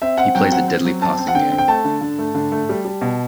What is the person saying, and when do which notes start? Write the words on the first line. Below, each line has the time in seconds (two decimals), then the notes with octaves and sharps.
He plays a deadly passing game.
0.02 C4 E5
0.18 C4 F#5
0.35 F#3 G5
0.51 C4 F#5
0.68 C4
0.85 F#3
1.02 C4 A5
1.18 C4
1.28 F#5
1.35 D3 G5
1.52 C4
1.58 G5
1.68 A3 A5
1.85 D3
2.01 D3
2.19 A3
2.35 D3
2.52 A3
2.69 G3
2.85 G3
3.01 B2